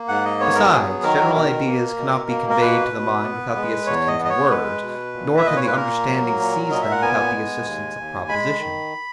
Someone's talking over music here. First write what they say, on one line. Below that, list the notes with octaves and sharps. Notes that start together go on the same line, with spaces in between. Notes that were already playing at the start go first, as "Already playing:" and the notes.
Besides, general ideas cannot be conveyed to the mind without the assistance of words, nor can the understanding seize them without the assistance of propositions.
Already playing: A#3
G#2 F#5
D#5
B3 C#5
A#4
F#3 G#4
D#3 A#4
B2 A#4
A#3
B2
A#3
A#4
B2 B4
B2
B3
G#3
E2 C#5
D#5
B3
D#5
C#5
G#3 B4
B2
A#2
E5
A#2 D#5
C#5
B4
A#3 A#4
F#3
A#2
A#2 D#5
E5
F#5
B3 G#5
G#3
D#2
D#2
G#3 B5
D#3